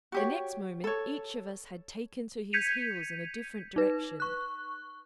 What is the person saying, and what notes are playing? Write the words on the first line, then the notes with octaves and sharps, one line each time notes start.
The next moment each of us had taken to his heels in a different direction.
F#4 G4 C#5
A4 C#5
G6 G#6 B6 C#7 D#7 F7
D#4 B4
C#6 F#6